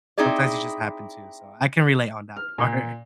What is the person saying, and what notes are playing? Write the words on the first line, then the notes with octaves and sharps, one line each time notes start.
sometimes you, just, happen to so, I can relate on that part
C4 D#4 E4 G#4 D5
F6
A#2